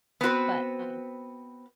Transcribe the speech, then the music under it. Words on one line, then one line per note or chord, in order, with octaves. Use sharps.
but, um
B3 C4 F#4 B4